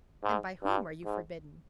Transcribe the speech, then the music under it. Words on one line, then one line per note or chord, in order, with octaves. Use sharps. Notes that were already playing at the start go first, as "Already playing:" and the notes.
"And by whom are you forbidden?"
G#2
G2
G#2